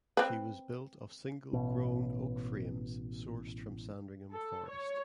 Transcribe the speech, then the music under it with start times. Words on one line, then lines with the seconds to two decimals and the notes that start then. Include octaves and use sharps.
She was built of single grown oak frames sourced from Sandringham Forest.
0.17 C4 B4
1.53 A1 B2
4.32 A4
4.68 C#5